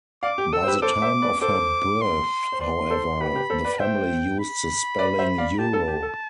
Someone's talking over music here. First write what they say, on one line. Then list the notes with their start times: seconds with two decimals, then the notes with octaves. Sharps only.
By the time of her birth, however, the family used the spelling Yuro.
0.23 D5 F5 D6
0.38 G4
0.53 A4 E6
0.63 C5
0.67 G4 B4
0.82 A4 C5 D6
1.02 C5 E5
1.22 B4 D5
1.41 A4 C5 D6
2.01 C6
2.52 C5
2.61 B4 D5 C6
2.90 A4 C5
3.20 G4 B4 B5
3.35 G4 B4
3.50 A4 C5
3.65 B4 D5
3.79 C5 E5 G5
4.40 B5
4.99 B4 D5
5.19 C5 E5
5.38 D5 F5
5.59 G4 A5
5.73 A4
5.88 G4
6.03 A4